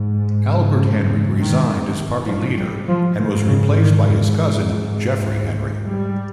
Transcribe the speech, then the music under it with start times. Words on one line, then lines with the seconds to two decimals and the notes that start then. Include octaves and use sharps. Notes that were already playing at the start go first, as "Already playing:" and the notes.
Albert Henry resigned as party leader, and was replaced by his cousin Geoffrey Henry.
Already playing: G#2
0.50 C#3
1.39 D#3
2.27 F3
2.57 G3
2.88 F3
3.17 G#2 D#3
3.47 C#3
3.76 D#3
5.84 G3